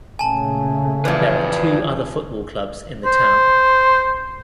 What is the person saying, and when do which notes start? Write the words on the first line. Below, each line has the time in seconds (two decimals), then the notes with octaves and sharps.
There are two other football clubs in the town.
0.19 A#2 C#3 A3 G#5 A5
1.05 E2 F3 B4 D5
3.05 C5